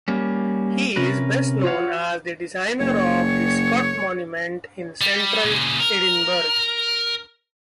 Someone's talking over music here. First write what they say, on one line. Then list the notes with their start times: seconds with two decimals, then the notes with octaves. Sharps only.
He is best known as the designer of the Scott Monument in central Edinburgh.
0.08 G3 A#3 C#4
0.96 C3 C#4 A#4 B4
1.63 F4 F#4 C#5 D5 F5 F#5
2.80 F#1 C#5
5.01 G3
5.44 A#2 C#3
5.80 A#4